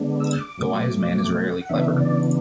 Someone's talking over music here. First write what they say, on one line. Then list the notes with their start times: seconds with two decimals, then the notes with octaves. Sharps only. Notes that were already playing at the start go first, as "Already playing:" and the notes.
The wise man is rarely clever.
Already playing: D3 G#3 B3 D4
0.20 E6
0.39 D6
0.58 B2 F#3 A3
1.61 F#5
1.69 C#3 E3 B3 D4 E5
1.98 D5